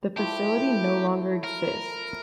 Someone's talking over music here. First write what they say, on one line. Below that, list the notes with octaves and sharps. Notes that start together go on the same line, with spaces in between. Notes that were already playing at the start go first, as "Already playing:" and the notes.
The facility no longer exists.
F3 A3 E4 G4 A4
A#4